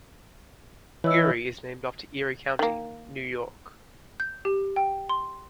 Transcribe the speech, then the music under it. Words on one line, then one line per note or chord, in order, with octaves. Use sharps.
Erie is named after Erie County, New York.
E3 C#5 D#5 E6
D#3 A#3
G6
G4
G5
C6